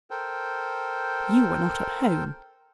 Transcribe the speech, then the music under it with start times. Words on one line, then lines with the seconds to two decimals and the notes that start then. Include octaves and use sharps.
You were not at home.
0.11 A4 A#4 C5 G5